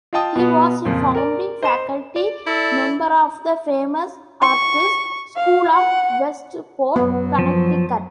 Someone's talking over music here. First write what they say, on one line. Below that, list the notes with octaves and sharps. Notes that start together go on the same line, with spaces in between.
He was a founding faculty member of the Famous Artists School of Westport, Connecticut.
F4 D#5 G5 A5 D#6
B2 B3
F2 A#2 C#3 F3
A#4 D5
C5 D#5 C6 E7
D5
E4 A4
C#6
F5
F#5
F#2 F#3 B3
F3